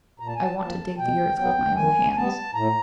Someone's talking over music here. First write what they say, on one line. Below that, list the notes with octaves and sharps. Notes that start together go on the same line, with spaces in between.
I want to dig the earth with my own hands.
A#2 A#5
A5
G#5
A5
F3 A#3 A5
B2 G5
F#3 B3 G5
D#3 G#5
G#5
G3 B3 A5
A2 A#5